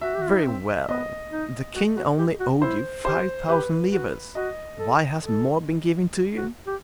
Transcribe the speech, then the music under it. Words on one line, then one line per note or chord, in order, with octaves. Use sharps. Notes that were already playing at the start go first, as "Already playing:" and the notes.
"Very well; the king only owed you five thousand livres; why has more been given to you?"
F#4 E5
G4
F#4
E4
D#4
C4
B3 D#5
D#4
F#4
F#4
G4
F#4
E4 C5
G4 C5
G4 B4
F#4
F#4 D#5
A4
A4
F#4
G4